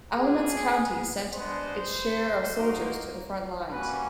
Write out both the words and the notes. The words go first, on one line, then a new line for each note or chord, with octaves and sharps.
Alamance County sent its share of soldiers to the front lines.
A3 D4 F4 G#4
G#3 B3 D4 C5
A#3 D#4 F#4
G3 A#3 C#4 F#4 B4